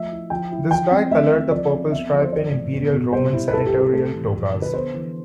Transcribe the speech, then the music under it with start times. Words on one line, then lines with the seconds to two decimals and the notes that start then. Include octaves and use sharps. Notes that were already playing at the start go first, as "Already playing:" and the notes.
This dye colored the purple stripe in Imperial Roman Senatorial togas.
Already playing: F3 A3 E5
0.11 E4
0.30 F3 G5
0.51 E4
0.71 F3 G5
0.91 C4
1.11 A3 E5
1.31 E4
1.51 F3 D5
1.72 C4
1.92 B3 E5
2.12 F3
2.21 C5
2.32 E3 D5
2.52 A2
2.73 B3
2.93 B2
3.12 G3 C5
3.33 E4
3.48 B4
3.53 G3 A4
3.67 G4
3.73 C3
3.80 A4
3.93 A3 A4
4.14 E3
4.34 F3
4.54 D3
4.62 B4
4.73 B3 C5
4.94 E3